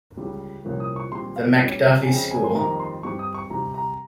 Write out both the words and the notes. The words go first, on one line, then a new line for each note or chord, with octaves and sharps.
The MacDuffie School.
C#2 C#3 G3
C2 A#2 F3 A#3 C#4
D#6
C#6
A#2 G3 C4 C6
F5
A#2 G3 C#4
G#5
F2 C#3 G#3 C4 G5
G#5
C6
F2 D#3 G3 A#3 A#5
C6
G2 G3 C4 C#6
D#6
C#6
C3 G3 C4 A#5
A#5